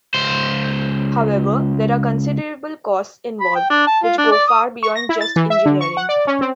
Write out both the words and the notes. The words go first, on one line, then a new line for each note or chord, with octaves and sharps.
However, there are considerable costs involved, which go far beyond just engineering.
C#2 C5
B5
G5
D4
A5
F4
D4
D5
D#6
C#6
A#6
E4
A6
E3
E5
D3
C#6
F#5
D5
C#4
C4